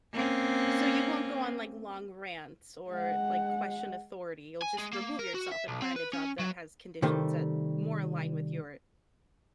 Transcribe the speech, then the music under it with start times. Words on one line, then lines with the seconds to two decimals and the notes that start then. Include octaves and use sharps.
So, you won't go on, like, long rants or, like, question authority. You'll just remove yourself and find a job that has conditions that more align with your
0.13 A#3 C4 C#4
2.90 G#3 F#5
4.62 G#5
4.79 G#3
4.93 A#3
5.19 A#4
5.35 F#4
5.52 E5
5.68 B1
5.82 C4
5.96 B4
6.13 C#4
6.40 F#3
7.02 C3 D#3 G3 A3